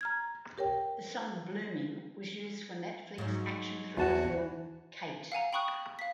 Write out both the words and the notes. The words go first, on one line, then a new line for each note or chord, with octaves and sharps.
The song "Blooming" was used for Netflix action thriller film "Kate".
A#5 F6 G#6
G4 A#4 C#5 G5
G#2 F#3
E2 F#4 A5
F5 F#5 G#5 A#5
G5 B5 C#6 D#6 F#6
F5 B6